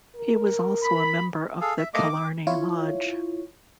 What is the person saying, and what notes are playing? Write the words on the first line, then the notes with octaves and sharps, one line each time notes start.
He was also a member of the Killarney Lodge.
A#4
B5
G#4 A4 F5
E5
A3 A#3 D#5 D6
D6
E4 F4 C#5